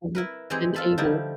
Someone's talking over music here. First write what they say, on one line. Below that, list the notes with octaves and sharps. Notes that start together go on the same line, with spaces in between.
Mhm, and able.
E4 A#4 B4
E3 G#3 C4 D#4 G4 G#4
F4 A4 B5
D3 F3 G3 D#4 E4